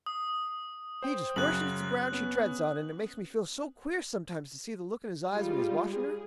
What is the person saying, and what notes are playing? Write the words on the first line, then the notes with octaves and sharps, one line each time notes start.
He just worships the ground she treads on and it makes me feel so queer sometimes to see the look in his eyes when he's watching her.
D#6
C5 G5
F#2 C#3 F#3 F#6 F#7
B3 C#4
G3 G#3 F4
G#4